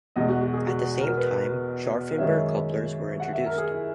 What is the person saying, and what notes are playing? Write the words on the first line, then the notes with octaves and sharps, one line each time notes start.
At the same time Scharfenberg couplers were introduced.
E2 B2 G#3 D#5
F#4
F#4
G#4
F#4
A#4
B4
F#2 D#3 G#3 C#4 E5
F#5
E5
A#4
G#4
E4